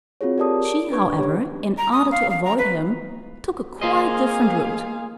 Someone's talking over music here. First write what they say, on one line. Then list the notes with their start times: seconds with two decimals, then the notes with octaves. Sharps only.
She, however, in order to avoid him, took a quite different route.
0.21 C4 F4 F#4 G#4 C#5
0.38 G4 A4 A#4 D5 A5 D#6
0.65 D7
0.90 D4 B4 C#6 G#6
1.17 G4 C#5
1.78 A#5
1.92 D#6
2.11 F5
2.30 F5
2.44 A#5
2.58 B4
3.81 A#3 G#4 C5 D#5 F5